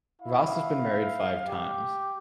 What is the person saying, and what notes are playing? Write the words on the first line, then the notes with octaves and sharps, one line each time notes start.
Ross has been married five times.
E4 F5
G4